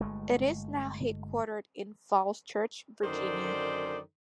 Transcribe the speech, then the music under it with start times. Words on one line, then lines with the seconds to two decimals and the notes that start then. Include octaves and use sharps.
It is now headquartered in Falls Church, Virginia.
0.01 G1 G#3 A3
3.03 F#2 D3 D#3 D#4 C5 D5